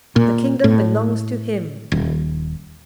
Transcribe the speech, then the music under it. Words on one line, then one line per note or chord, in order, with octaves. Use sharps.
"The kingdom belongs to him."
A#2
A2
D#1